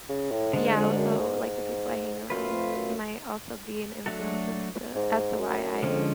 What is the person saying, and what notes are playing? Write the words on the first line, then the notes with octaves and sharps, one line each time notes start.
yeah, also like the people I hang around might also be an influence as to as to why I
C#3
A2
G#2 D3 G#3 D4
F2
G#2
F#2
G#2
G#2
F#2 A3 F4 B4
F2
F#2
F#3 A3 D4 F#4 A4
G#2
F#2
F2 D3 F3 G#3 C#4